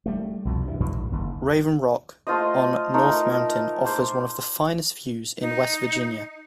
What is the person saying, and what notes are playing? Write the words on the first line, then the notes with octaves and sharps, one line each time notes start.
Raven Rock, on North Mountain, offers one of the finest views in West Virginia.
G3 A3
C2 F2 B2
G2 E3
F2 G#2 B2 E3
A#1
F#1 D#2
A3 F4 C5 D#5
A3 D#4 F4 A#4
C5 D6
D#4